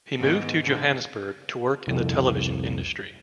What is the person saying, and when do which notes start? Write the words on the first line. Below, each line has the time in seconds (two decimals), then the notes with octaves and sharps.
He moved to Johannesburg to work in the television industry.
0.18 G#2 D#3 B3
0.63 G#2 D3
1.87 C2 F2